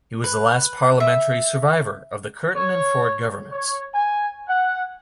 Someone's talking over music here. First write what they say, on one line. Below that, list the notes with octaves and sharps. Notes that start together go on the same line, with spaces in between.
He was the last parliamentary survivor of the Curtin and Forde governments.
B4
E5
C#5
C#5
G#5
F#5